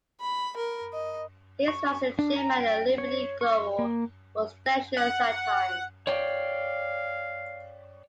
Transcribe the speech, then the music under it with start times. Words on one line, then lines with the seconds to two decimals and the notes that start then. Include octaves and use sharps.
His rise to chairman at Liberty Global was contentious at times.
0.21 B5
0.57 A#4
0.93 D#5
1.68 C#6
2.19 D4
2.36 A#5
2.60 G5
2.98 C#5
3.41 C#6
3.79 A#3
4.97 F#5
6.07 C#5 D5 F5 G5